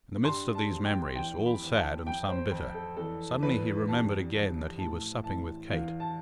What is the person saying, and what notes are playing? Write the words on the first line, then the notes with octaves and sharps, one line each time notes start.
In the midst of these memories, all sad and some bitter, suddenly he remembered again that he was supping with Kate.
G2 C6
A5
F3
G5
E2 G5
B5
E2
A5
F2 G5
C5
F2
A4
E2 A4
E2 B4
G2 A5
F3
A2 A5
E3 A5
E2 F5
A5